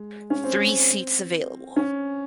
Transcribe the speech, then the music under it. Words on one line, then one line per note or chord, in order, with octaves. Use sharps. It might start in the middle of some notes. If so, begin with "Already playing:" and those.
Three seats available.
Already playing: G#3
C#4
C4
C#4